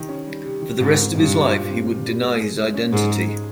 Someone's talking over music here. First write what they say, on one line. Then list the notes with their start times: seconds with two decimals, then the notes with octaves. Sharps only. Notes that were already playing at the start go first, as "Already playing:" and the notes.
For the rest of his life he would deny his identity.
Already playing: C3 D#3
0.09 C#4
0.26 G3
0.44 C3
0.62 D#3
0.80 G#2 F4
0.97 C4
1.15 G2 A#2
1.32 G3
1.50 F4
1.69 C4
1.86 A#2
2.04 G3
2.22 G#3
2.40 G#4
2.57 G#3
2.74 C#4
2.92 G#2 G#3
3.10 G#4
3.28 G#3